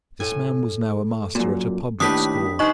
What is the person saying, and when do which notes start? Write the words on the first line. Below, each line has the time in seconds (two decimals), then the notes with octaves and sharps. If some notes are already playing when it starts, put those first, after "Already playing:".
This man was now a master at a public school.
0.20 A2 G#5
1.35 F#2 A#2
2.00 D#2 A2 D4 G4 B4 D#6 B6
2.59 C3 D#4 C5 D#5 C#6